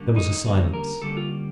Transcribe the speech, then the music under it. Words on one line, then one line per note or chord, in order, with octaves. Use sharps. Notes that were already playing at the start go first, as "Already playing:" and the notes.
There was a silence.
Already playing: D3 G3 A#3 C#4
D#4
D3 G3 A#3 C#4
A#4
D3 G3 A#3 C#4 A4
F4